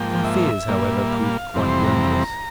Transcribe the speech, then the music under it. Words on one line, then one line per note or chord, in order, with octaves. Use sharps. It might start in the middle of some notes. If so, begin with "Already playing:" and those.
My fears, however, proved quite groundless.
Already playing: G#2 F3 A#3 G5
E5
A#2 G3 A#3
F5
F2 C3 E3 G3 C4
C6
A#5